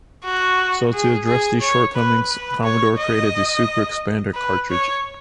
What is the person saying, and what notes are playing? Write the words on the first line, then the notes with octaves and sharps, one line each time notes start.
So to address these shortcomings Commodore created the "Super Expander" cartridge.
F#4
G#4
G#4
C#5
B4
B4
C#5
D#5
B4
C#5